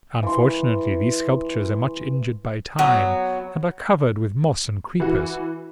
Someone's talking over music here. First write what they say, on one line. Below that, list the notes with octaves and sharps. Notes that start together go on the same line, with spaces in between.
Unfortunately these sculptures are much injured by time, and are covered with moss and creepers.
E3 C6
F#3 B3
E3 F#4